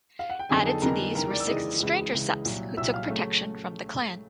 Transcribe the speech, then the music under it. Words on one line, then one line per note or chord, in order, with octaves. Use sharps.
Added to these were six "stranger septs" who took protection from the clan.
F5
F#5
G5
F2 D3 F#3 B3 D#4 G#4 G#5
A4 A5
F2 D3 F#3 B3 D#4 A#4 A#5
D#2 C#3 E3 G#3 A#4 A#5
D5 D6
E6
D#2 C#3 E3 G#3 D#5 D#6
C#2 C#3 E3
C#2 C#3 E3
C2 A#2 F#3
C2 A#2 F#3 E5 E6
F5 F6
C#3 F#3 A3 C#4